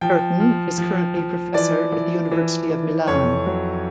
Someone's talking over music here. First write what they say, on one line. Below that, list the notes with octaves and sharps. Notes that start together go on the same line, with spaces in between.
Bertin is currently Professor at the University of Milan.
F3 G5
F3
F3
F3
E3 D5
E3
E3
E3
F2 C#5
F#3